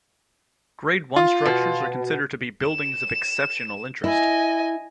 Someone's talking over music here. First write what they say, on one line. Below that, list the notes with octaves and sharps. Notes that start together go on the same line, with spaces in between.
Grade One structures are considered to be "buildings of exceptional interest".
F4
B2
E7
E4 D#5 G#5